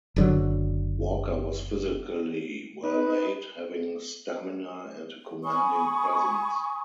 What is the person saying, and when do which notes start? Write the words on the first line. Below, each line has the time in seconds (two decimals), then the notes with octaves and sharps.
Walker was physically well made, having stamina and a commanding presence.
0.16 F#1 D3 F#3
2.83 D#4 B4
5.44 G#5 B5 C#6 D#6